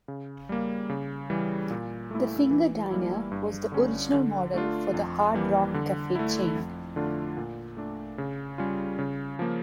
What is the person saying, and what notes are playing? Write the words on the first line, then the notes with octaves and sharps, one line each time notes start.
The Finger Diner was the original model for the Hard Rock Cafe chain.
C#3
G3 A#3
C#3
E3 G3
A#2
A3 E4
E3
G3 A#3 E4
G2
D3 G3 C#4
D3
A3 D4 F4
F2
E3 G3 A#3
D3
A3 E4
F2
D3 A3 D4 F4
A#2
A3 D4
C#3
G3 C#4 F4
C#3
F3 A#3